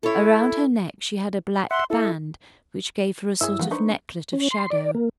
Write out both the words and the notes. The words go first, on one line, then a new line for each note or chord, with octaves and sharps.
Around her neck she had a black band, which gave her a sort of necklet of shadow.
E4 A4 C#5
E5 F#5 C6
E4 A4
G2 E4 G#4 C#5 E5 E6
C#3 E3 F3 G3 B3 F#4
D4 D#4 B4 C5 C#6
C#4
C6
D5
A#3